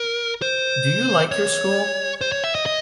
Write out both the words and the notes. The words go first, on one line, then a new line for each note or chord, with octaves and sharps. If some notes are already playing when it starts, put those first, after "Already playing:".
Do you like your school?
Already playing: A#4
C5
C#5
C5
C#5
E5
D#5
D#5